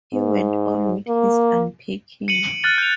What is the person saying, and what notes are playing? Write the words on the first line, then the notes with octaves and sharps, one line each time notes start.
He went on with his unpacking.
G#2
A#3
C#7 D#7 F#7
D7
F6 F#6 A6 F#7
G6 F7